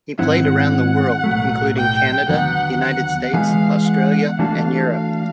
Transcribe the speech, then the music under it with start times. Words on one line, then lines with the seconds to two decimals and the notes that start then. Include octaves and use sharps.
He played around the world including Canada, United States, Australia and Europe.
0.19 G#2 D#3 G3 C4 E4 F#5
0.71 F#5
1.24 B1 A2 F#3 A3
1.76 G5
2.29 D#2 D3 F#3 B3 F#5
2.81 F#5
3.33 E3 G#3 B3 D#4 G#4 F5
3.86 F#5
4.39 E3 A3 D4 F#4 A4 F5
4.91 F5